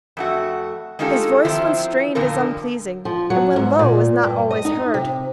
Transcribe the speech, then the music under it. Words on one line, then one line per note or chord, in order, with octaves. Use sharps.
His voice when strained is unpleasing, and when low is not always heard.
F2 A3 F#4
G#3 C#4 D#4 F4 G4 A4
D#3 F3 C4 E4
F2 A#2 D3 F3 A#4
F3
F#3
G#2
A#2
G2
D#5
D#4
C3